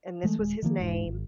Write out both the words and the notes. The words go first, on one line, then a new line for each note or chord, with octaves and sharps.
and this was his name,
E3 G#3 A3
D#1 G#3
D#3 F3 A#3
E1 G#2 E3
G#1